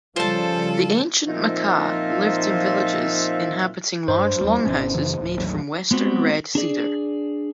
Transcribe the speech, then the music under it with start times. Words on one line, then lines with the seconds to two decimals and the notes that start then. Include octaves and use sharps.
The ancient Makah lived in villages, inhabiting large longhouses made from western red cedar.
0.16 C#3 F3 G3 F4 A4 C5 A5
1.27 A#2 F3 C4 D#4 F4 E5
4.08 G2 C5
4.41 E2 G3
4.65 G#1 B2 C#4
4.94 F#2 C#3 E3
5.21 D1
5.39 A1 D#2 F#3
5.91 G#3 B3 C4 F#4
6.55 D4 G#4 D5